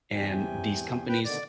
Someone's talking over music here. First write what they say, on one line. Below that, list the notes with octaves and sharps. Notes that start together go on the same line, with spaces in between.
em, these companies
E2 C3 G5 G#5
B4 G5
B2 D3 D#3 D5